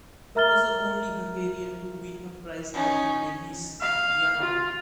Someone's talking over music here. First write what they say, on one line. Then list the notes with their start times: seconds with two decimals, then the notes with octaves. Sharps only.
He was the only Hungarian to win a prize at the Venice Biennale.
0.35 A#4 E5 A#5 F6 A6 G7
2.74 C#4 D#4
3.80 F5
4.42 F4